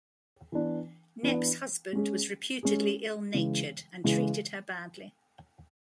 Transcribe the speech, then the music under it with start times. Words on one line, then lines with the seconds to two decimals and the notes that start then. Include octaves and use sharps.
Knepp's husband was reputedly "ill-natured" and treated her badly.
0.52 E3 B3 D4
1.23 E3 B3 D4
1.93 G#3 C#4 G#4
2.63 G#3 C#4 G#4
3.34 C#3 E3 G#3
4.04 C#3 E3 G#3